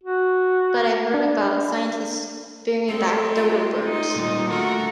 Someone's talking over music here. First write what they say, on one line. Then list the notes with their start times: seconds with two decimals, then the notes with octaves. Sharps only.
but I heard about scientists bringing back dodo birds.
0.03 F#4
1.14 D4
2.88 G#3 A3 C4 A4
3.36 F4
3.84 D#4
4.15 A#2 D#3 G3
4.50 D3 A3 F#4 A4 A#4 A#5